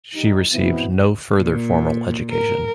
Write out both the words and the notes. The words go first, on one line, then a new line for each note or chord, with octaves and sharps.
She received no further formal education.
G3 D#4
B2 E3 B3 C4 E4
A#2
A#4